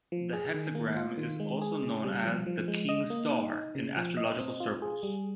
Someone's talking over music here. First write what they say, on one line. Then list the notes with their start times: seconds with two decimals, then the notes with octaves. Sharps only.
The hexagram is also known as the "King's Star" in astrological circles.
0.12 F3
0.33 G#4
0.54 D#3
0.75 A#3
0.97 F4
1.18 D#3
1.40 G#3
1.62 G#4
1.83 C#3
2.04 G3
2.25 F3
2.46 F3
2.68 G#3
2.89 D#5
3.10 A#3
3.31 D#4
3.53 D#4
3.75 C#3
3.97 F3
4.17 D#5
4.38 C4
4.60 F4
4.82 G#4
5.03 G3